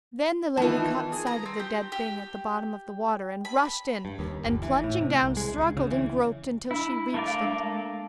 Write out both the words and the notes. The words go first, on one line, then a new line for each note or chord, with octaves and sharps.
Then the lady caught sight of the dead thing at the bottom of the water, and rushed in, and, plunging down, struggled and groped until she reached it.
D#3 E3 B3 F4 A5
G#4
A#5
C4
G4
G4
B5
G2
D#2
G1
E3
A2
C3
C2
G#3
C#2
C#3
E3
D4 E4
A3 A#3 D5
F5
G#3 D4